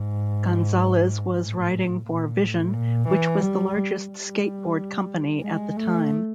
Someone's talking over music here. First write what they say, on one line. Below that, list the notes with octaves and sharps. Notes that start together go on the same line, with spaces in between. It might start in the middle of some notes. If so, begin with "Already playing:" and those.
Gonzales was riding for Vision which was the largest skateboard company at the time.
Already playing: G#2
A2
A#2
A2
A#2
E3
G3
G3
G#3
A3